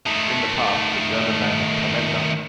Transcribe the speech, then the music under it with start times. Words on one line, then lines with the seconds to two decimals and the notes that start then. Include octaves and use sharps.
In the past the German name was "Commenda".
0.07 D#3 A3